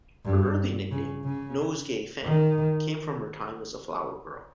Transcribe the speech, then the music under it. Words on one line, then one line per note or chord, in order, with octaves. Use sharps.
Her early nickname, Nosegay Fan, came from her time as a flower girl.
G2
C#3
C#3
D#3